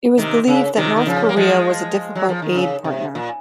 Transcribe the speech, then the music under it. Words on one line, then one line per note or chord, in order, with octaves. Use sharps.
It was believed that North Korea was a difficult aid partner.
C3 D#3
C#3
C3 D#3
D#3
C#3 F3
A#3
F3 G#3
F#3
F3
D#3
C#3
C3
A#2